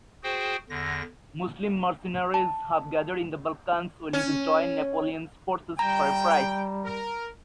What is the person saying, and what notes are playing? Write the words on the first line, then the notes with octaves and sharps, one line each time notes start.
Muslim mercenaries have gathered in the Balkans willing to join Napoleon's forces--for a price.
F#4 G#4 C5 G5
E2 D3 A#6
A5
C#4
G3 G5 A#5
A#4